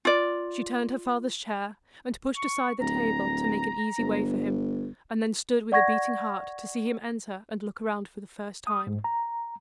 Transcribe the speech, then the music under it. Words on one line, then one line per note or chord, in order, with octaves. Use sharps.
She turned her father's chair, and pushed aside the table to make an easy way for him, and then stood with a beating heart to see him enter and look round for the first time.
F4 D5
C#6
D1 A#5
G1
D5 F#5 C#6 G#6 A#6
D#6
G#2
A#5